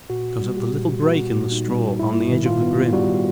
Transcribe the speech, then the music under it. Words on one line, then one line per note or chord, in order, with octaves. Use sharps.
Because of the little break in the straw, on the edge of the brim.
A#2 F#4
G3
G4
A#2
B3 F#4
A#2
D#4
G3
G#2 E4
D#3
F4
B3
G3 F#4